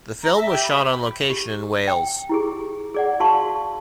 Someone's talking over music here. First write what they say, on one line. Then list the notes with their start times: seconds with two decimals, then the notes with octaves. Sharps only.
The film was shot on location in Wales.
0.22 A#5
0.36 E5
0.49 G4
0.63 B5
1.30 G4
1.88 G5
2.29 E4 G4 G#4
2.94 G#4 D5 F#5
3.20 F#4 F5 A5 C6 C#6